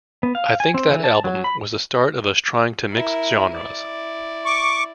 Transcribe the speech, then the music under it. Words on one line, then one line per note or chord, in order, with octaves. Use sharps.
I think that album was the start of us trying to mix genres.
B3
F5
G#5
C4
E3
A5
F#3
B5
E4 A#4
E4 D5
C#6 D6